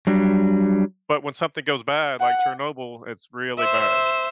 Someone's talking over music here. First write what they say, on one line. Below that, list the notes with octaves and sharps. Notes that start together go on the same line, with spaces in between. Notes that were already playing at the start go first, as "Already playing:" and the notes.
But when something goes bad, like Chernobyl, it's really bad.
F#3 G3 D4
F#5
C5 E5